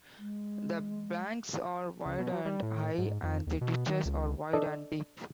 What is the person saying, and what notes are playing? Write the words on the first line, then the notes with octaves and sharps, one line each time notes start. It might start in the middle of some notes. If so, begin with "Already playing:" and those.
The banks are wide and high, and the ditches are wide and deep.
G#3
C#2
B2
F#3
G3
A2
G#2
F2
D#2
B2
D#3
C#2
D4 A4 D5 D#5